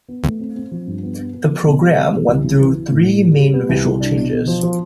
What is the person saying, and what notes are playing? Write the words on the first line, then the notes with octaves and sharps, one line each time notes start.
The programme went through three main visual changes.
B3
A3
C4
C4
F3
G2
B3
B3
B3
F3
B2
G3
C4
B2
C2
C2
E3
E3
A2
E4
G3
G3
B3
C2
C2
D4
B2
B2
F3
F3